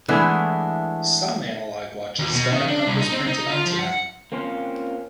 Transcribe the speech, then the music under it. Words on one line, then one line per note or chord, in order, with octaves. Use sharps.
Some Analog watches don't have numbers printed onto them.
E3 G#3 A3 B3 D4 E4
D#2
B2
D#3
D4
C2
D#4
C4
D#4
F4
F3
F#5
A#3 C4 C#4 F4